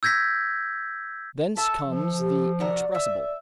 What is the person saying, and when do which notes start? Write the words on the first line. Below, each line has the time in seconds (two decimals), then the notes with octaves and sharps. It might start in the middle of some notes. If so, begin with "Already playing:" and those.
Thence comes the inexpressible.
0.03 E6 G6 G#6 A#6 B6
1.57 A4 E5 A5
1.84 F3
2.20 G4
2.60 C3 F#4 A#4 D5
2.95 E5